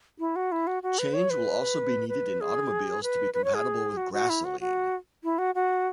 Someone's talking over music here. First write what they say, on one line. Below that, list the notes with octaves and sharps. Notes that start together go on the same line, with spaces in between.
Change will also be needed in automobiles to be compatible with grassoline.
E4
F#4
E4
F#4
F#4
B4
C#5
B4
B4
G#4
B4
B4
C#5
G#4
F#4
F#4
E4
F#4
F#4
E4
F#4
F#4